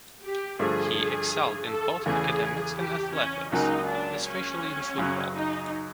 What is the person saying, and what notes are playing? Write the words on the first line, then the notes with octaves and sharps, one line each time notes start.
He excelled in both academics and athletics, especially in football.
G4
G2 D3 F3 A3 G#4
A4
E2 C#3 E3 A3 G#4
G4
C#4
C#2 C#3 F#3 A#3 D#4
D4
C#4
F#2 C#3 F#3
D#4